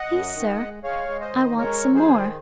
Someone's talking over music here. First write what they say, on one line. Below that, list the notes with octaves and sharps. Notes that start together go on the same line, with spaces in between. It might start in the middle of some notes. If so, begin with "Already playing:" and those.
'Please, sir, I want some more.'
Already playing: D#5 F#5
F#2
D#3
G#3
G#3 C#5 F5
G#3
C5 D#5
D#3
G#3 A#4 C#5
F2
G#4 C5
D#3